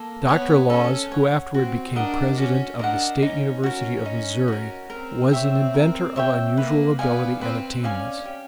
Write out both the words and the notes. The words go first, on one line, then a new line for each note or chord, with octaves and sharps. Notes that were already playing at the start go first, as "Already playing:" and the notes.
Doctor Laws, who afterward became President of the State University of Missouri, was an inventor of unusual ability and attainments.
Already playing: A#3 A4
B3 C#5 F#5
C#4 A4
C#5 F#5
C4 F#4
D4 A#4 D#5 F#5
C#4 F#4
D4 A#4 D#5 F#5
C#4 D#4
C#4 F#4 A#4
D#4
F#4 A#4
C4 A#4
C#5 E5 G5
A#4
C#5 E5 G5
A#3 B4
B3 D5 F5 G#5
C4 B4
C#4 D5 F5 G#5
G4